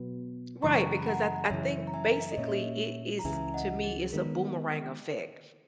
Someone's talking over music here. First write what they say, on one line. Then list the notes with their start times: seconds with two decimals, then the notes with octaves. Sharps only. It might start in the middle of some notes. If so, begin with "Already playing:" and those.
Right, because I I think, basically, it is, to me, it's a boomerang effect.
Already playing: B2 F#3 B3
0.62 F#2 C#3 E3 G#3 A#5 C#6
0.98 B5
1.06 F#5 A#5
1.50 F#2 C#3 E3 C#5 E5
1.87 A#5
1.94 E5 G#5
2.32 D#5
2.37 A#2 A#3 C#4 C#5 E5
3.19 A#5
3.25 C#2 C#3 E3 E5 G#5
3.54 D#5 F#5
3.83 G#4
4.13 D#3 G#3 B3 A#4